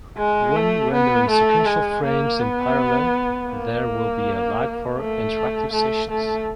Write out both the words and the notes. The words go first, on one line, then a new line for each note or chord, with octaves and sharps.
When rendering sequential frames in parallel there will be a lag for interactive sessions.
G#3
A3
B3
A3
G#3
A#3
B3
A#3
A3
A3
A3